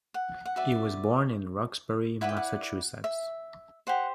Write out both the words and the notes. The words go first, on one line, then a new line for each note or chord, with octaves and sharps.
He was born in Roxbury, Massachusetts.
F#5
F#5
F#4 B4 D5 E5
E4 B4 D5 F#5
G5
F#5
E5
G4 C5 F#5